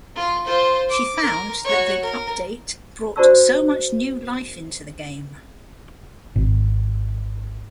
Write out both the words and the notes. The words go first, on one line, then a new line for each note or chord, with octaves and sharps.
She found that the update brought "so much new life into the game".
F4
F4 C5
D6
A#4
F#4 C#5
A#4
F#4 C5 D5 A5 C#6 E6
G#1